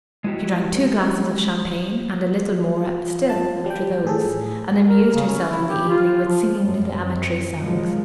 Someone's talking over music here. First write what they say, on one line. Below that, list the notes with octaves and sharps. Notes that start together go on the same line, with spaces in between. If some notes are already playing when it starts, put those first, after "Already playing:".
She drank two glasses of champagne, and a little more still after those, and amused herself in the evening with singing little amatory songs.
G#3 E4 F#4 G4
F4
A5
G3 G5
A2 G#4 A4
A#4
C#3
C#4
E4
G4
F4
F3
F#2 C4
A#2 D#3 F3 F#3 G#3